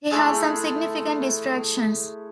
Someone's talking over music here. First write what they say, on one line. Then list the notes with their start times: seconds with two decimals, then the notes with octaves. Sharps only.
He had some significant distractions.
0.11 G#3 A3 E4